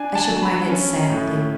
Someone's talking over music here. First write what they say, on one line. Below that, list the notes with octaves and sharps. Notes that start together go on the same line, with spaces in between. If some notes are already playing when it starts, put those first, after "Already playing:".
I shook my head sadly.
Already playing: D4 G#5
A5
F#3
B5
C#4
A2